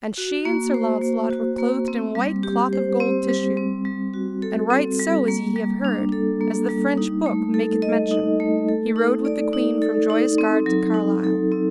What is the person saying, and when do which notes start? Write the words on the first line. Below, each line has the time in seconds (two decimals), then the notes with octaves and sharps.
And she and Sir Launcelot were clothed in white cloth of gold tissue; and right so as ye have heard, as the French book maketh mention, he rode with the queen from Joyous Gard to Carlisle.
0.18 F#4
0.45 A#3
0.74 C5
1.02 A#3
1.30 F#4
1.58 A#3
1.88 C4
2.15 G3
2.43 G4
2.73 C5
3.00 C4
3.29 G3
3.57 C4
3.85 G3
4.14 F#4
4.42 A4
4.70 C4
4.99 G3
5.28 A#3
5.56 G3
5.85 D4
6.12 A4
6.41 A#3
6.69 G3
6.97 D#4
7.26 A3
7.54 A4
7.82 D#5
8.11 D#4
8.40 A3
8.69 A4
8.96 D#4
9.25 D5
9.53 D#4
9.82 A4
10.10 D#4
10.38 C4
10.66 F#3
10.94 D#4
11.24 A4
11.52 C4